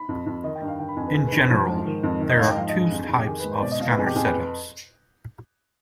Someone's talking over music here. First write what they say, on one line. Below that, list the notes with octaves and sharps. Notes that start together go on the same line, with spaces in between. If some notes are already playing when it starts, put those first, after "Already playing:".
In general, there are two types of scanner setups.
Already playing: B5
F2
F2
D#3 D#5
G5
G2
F5
D#3 G5
B5
F2 G#5
B4
D#3 G#4
B4
G2
C5
F3
G#2
D#3
F2
D#3
D#5
G#2 F5
G5
F3 F5
D#5
G2
G#4
F2 G#4
G#4
F2
G4
D#3 G#4
B4
G#2
C5
B2 D5
D#5
B2 F5
B4
F2 G#4
G4
F2 G#4
B4